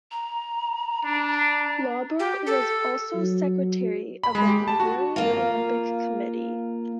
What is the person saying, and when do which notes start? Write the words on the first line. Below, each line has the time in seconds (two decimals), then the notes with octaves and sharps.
Lauber was also secretary of the Hungarian Olympic Committee.
0.11 A#5
1.05 D4
2.19 G4
2.47 A4
3.14 F#3
4.24 B5
4.35 G#3
4.48 G4
4.68 A5
4.80 F#4
5.16 A#3 F4